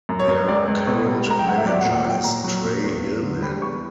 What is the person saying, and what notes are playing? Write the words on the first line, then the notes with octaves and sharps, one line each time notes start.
Their current manager is Trey Hillman.
F#2
C#5
F#2
C#2 D5
C#2
B2
G3
C#2 A#5
G5
C#2 F#5
E5
F#3 D5
F#5
A#2
F#5
F#3 G5
A#2 A#5
F#3
A#2
E2
E2
D3
G3 B5
E2 C#6